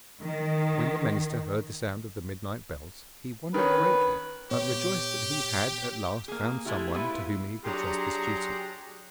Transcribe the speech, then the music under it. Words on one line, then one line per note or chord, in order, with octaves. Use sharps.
When the minister heard the sound of the midnight bells he wondered greatly, but rejoiced that he had at last found some one to whom he could trust this duty.
D#3
D#3 C#4 B4
A#2 B3 G4 C#5
A#3 G#4
G#3 A3 E4 G4
B3 E4 F4 G4 B4
F#3 D4 G4 G#4 A#5 C6